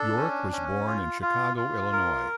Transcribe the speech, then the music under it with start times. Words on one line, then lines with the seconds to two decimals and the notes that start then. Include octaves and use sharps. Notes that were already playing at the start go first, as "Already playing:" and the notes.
York was born in Chicago, Illinois.
Already playing: D4 A4
0.17 C#4
0.52 C#4
0.87 F4
1.22 F4
1.57 F4
1.92 A#4